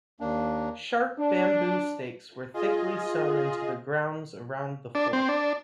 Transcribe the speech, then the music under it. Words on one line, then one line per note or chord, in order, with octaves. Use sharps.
Sharp bamboo stakes were thickly sown into the grounds around the fort.
D#2 A#3 D4
D4
F4 G#4 D#5
D4
C4
D4